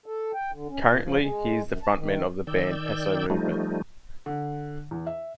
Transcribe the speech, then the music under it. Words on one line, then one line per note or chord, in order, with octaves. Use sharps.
Currently, he is the frontman of the band Peso Movement.
A4
G5
D3
C#4
A#2
F3
G#3
F#2
A5
D#3
D#3 D5 E6 G6
F3 G3 A3 D#4
D3
E2
E5